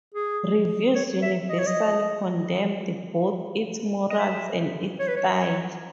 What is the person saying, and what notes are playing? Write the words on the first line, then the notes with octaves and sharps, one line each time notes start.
Reviewers universally condemned both its morals and its style.
G#4
C#5
E5
D#5
C#5
D#5
D#5
E5
C#5
B4
C#5